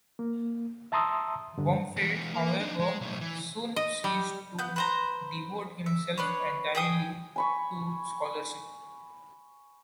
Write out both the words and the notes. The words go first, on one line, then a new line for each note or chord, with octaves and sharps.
Blomfield, however, soon ceased to devote himself entirely to scholarship.
A#3
E5 A5 A#5 C6 D#6 E6
G2 D3
E3 G#3
A#3
D4 D#4
G#3
B1 A2
E3
D#5
G3
B3 G6
B4 C5 A#5
E5
D4 B4 C#5
G#4 G5 D#6
G#5 B5 C#6